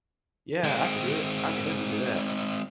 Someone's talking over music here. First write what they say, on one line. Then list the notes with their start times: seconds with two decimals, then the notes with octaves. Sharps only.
"Yeah, I could do it, I can definitely do that."
0.64 G#3 C4